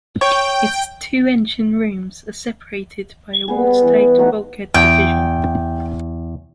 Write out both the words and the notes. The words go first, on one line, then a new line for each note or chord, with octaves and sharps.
Its two engine rooms are separated by a watertight bulkhead division.
C#5 G5
G3 B3 G#4
B3
E3
A3 D#4 F#4 G4
E2 G5